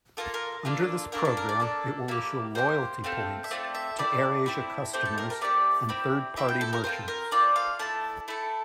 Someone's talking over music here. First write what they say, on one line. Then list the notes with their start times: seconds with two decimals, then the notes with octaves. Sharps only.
Under this programme it will issue loyalty points to AirAsia customers and third-party merchants.
0.17 A#3 D4 F4 A4 A#4
0.34 A#4
0.65 A#3 D4 F4 A4
1.12 A#3 D4 A4 A#4
1.25 A4
1.37 A#4
1.49 D5
1.60 A#3 D4 A4
2.08 A#3 E4 G4
2.55 A#3 E4 G4 C5
3.04 A3 C4 F4 A4
3.44 E5
3.51 A3 C4 F4 A4 D5
3.75 E5
3.98 A3 C4 E4 D5
4.46 A3 C4 E4
4.93 A3 C4 G4 C5
5.06 A4
5.18 A#4
5.30 A#4
5.41 A3 C4 G4 D5
5.89 C4 E4 G4
6.36 C4 E4 G4 E5
6.48 G5
6.61 A4
6.73 A#4
6.84 C4 F4 A4 C5
7.08 A#4
7.31 C4 F4 A4 D5
7.56 F5
7.79 A3 E4 A4 A5
8.28 A3 E4 A4